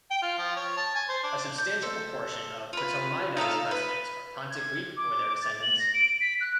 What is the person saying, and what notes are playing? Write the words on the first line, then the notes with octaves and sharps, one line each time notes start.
A substantial proportion of Ptolemaida's residents are Pontic Greek or their descendants.
G5
F4
F3
C#5
A5
G#5
C5
D4
G6
A4 C5
F4 B4
D#4 F4 A4 F5
B4
G#6
D6
A6
F#7
A#6
D7
B6
F#6